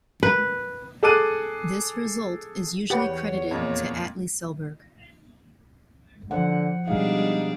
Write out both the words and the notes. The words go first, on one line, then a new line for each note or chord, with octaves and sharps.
This result is usually credited to Atle Selberg.
B4
G#4 A4 D6 F#6 D#7
E2 G4 B4 C#5 F#5
F2 A#2
D3 F3 C5 F#5
B2 G3 G#3 D4 D#4 G#4 F5